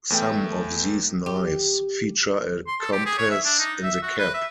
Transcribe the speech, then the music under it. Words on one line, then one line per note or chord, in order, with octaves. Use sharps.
Some of these knives feature a compass in the cap.
E2 A3 G5
G4
C6
A4
G4
G#4
C#5
E5
D4
D#4
E5
F#4
B4
E5